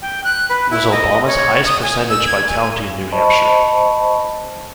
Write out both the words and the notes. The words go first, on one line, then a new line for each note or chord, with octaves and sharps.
It was Obama's highest percentage by county in New Hampshire.
G5
F#6
B4
E4
D#5
C#5
D#6
G#5
E6
G#6
G#5
C5 D#5 A5 B5 C#6